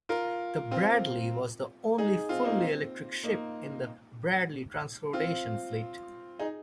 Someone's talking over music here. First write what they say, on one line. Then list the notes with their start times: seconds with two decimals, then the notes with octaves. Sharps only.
The "Bradley" was the only fully electric ship in the Bradley Transportation fleet.
0.09 F4 A#4
0.71 C4 F4
1.98 D#4 G#4
2.29 C4 F4
2.45 A#3 D#4
2.61 C4
3.24 A#3 D#4
5.13 C4 F4
6.39 D#4 G#4